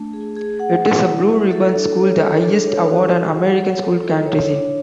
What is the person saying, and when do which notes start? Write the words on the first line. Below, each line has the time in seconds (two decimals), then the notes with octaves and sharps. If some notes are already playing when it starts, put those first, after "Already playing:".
It is a Blue Ribbon School, the highest award an American school can receive.
Already playing: A3 D4
0.13 G#4
0.37 G#4
0.60 F#5
0.82 B4
1.05 E4
1.28 E5
1.51 A4
1.74 D4
1.97 C#5
2.20 A4
2.43 D4
2.66 C#5
2.89 F#4
3.12 G#4
3.34 F#5
3.58 C#5
3.80 A4
4.03 E4
4.26 C#5
4.49 D4